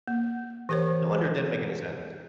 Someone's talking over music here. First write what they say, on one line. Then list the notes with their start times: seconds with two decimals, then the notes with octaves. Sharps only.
No wonder it didn't make any sense."
0.08 A#3
0.69 E3 G4 A#4 C5 C#5